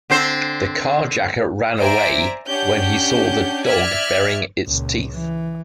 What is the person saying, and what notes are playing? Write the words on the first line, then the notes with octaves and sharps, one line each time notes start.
The carjacker ran away when he saw the dog baring its teeth.
D3 C4 C5
C5 D5 E5 G#5 A#5 D7
C#4 D4 G4 F#5 G6
D5 E5 F6 F#6 G#6 B6
C#2 A#2
E3